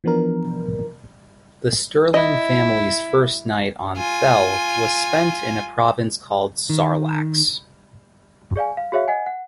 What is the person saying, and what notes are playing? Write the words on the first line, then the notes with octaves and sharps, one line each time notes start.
The Sterling family's first night on Thel was spent in a province called Sarlax.
E3 F3 B3 D4 A#4
E4 D#5
F4 G#5
D#3
G#4 D5 F5 G#5
F5
F#4 G#4 C#5 E5 F5
D#5 F#5 G#5
F#5